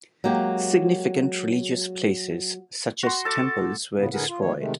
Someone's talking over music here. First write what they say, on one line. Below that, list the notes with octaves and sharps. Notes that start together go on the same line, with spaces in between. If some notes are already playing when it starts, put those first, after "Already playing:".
Significant religious places such as temples were destroyed.
F#3 G#3 A#3 G4
F#4 C6
A4 A5 D6
A2 C#3 B3
A2 D3 G#4 A#4 B4 F#5
F4
D#3 G3 A#3 C#5
C3 D#3 G#3 A3